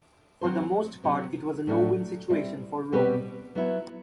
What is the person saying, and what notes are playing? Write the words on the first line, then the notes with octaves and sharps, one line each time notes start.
For the most part it was a no-win situation for Rome.
F#3 C4 F#4 C5
C3 F#3 C4
A2 F#3 A3 D4 F#4
G3 C4 E4
B2 G3 C4 G4 B4
F#3 B3 E4